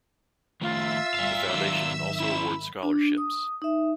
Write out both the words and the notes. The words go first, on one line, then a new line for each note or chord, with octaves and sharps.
The Foundation also awards scholarships...
D#3 F3 A3 F4 E5 E6
G1 G3 D5 F5
G#1 D#3 F#3 F#4 D5 F5
C#4 E4 B5
D4
D#6
D#4 E5